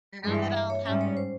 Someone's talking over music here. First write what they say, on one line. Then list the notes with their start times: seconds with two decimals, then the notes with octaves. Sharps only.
now that I'll have
0.24 G2 E3 G#3 G#4
0.35 E5
0.45 E5
0.55 E5
0.70 C#5
0.85 G#2 G3 C#4 E5
1.01 C#5
1.17 C5